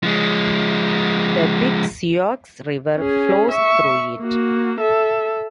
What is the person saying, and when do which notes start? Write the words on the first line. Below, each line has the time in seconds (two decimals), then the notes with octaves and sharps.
The Big Sioux River flows through it.
0.03 F3 G#3
2.98 C#4 G#4
3.51 E5 C#6
4.21 A#3 F#4
4.80 A4 E5